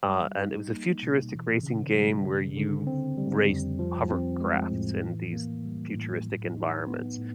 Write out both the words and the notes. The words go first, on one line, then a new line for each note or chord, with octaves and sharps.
uh, and it was a futuristic racing game where you race hovercrafts in these futuristic environments,
G3
D#4
A#3
B2
E3
C#3
G3
C#3
D3
C4
G3
F2
F3
C4
G#3
A2
E3
A#3
G3
A2
F#3
D#4
B3
A2